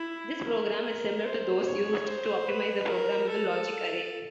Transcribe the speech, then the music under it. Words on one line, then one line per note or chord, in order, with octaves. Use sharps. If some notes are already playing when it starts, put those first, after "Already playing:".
This program is similar to those used to optimize a programmable logic array.
Already playing: E4
A#4
C5
C#5
C5
B4
A#4
A4